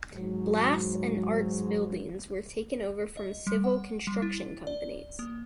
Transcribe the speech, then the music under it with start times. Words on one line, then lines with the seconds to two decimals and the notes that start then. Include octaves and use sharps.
Blasts and arts buildings were taken over from civil construction companies.
0.15 G#2 F#3
3.17 D#5
3.47 G3
3.64 F#5
4.07 G3
4.22 E4
4.67 D5
5.19 A#3